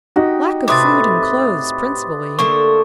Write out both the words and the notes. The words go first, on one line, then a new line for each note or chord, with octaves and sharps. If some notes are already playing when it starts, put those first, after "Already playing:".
"Lack of food and clothes principally."
D#4 F#4 G4 D#5
A2 C3 B4 C5 E5 D6 D#6 A6
D3 A3 A#3 C#6